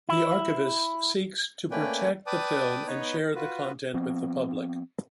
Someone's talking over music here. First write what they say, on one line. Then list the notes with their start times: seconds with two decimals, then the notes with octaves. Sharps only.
The archivist seeks to protect the film and share the content with the public.
0.09 E4
1.71 A3 A#3 C#4 B4 D5 G5
2.27 B4 D5 G5 A5 D6 D#6
2.87 B3 D#4 B4 C#5
3.35 F4 F#4 B4
3.94 F3 B3 C4